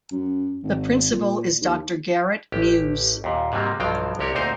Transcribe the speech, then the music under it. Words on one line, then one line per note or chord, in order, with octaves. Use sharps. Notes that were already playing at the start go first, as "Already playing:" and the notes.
The principal is Doctor Garett Muse.
F#2
G#1
A#2
D#2
A1 G4
D#2 A#2
G#2 C3 F#3 G3 A#3
B1 G2 F3 F#3 F5 G5
C2 C3 G4 A#4 C#5
D2 A#2 C4 D#4 A#4 C5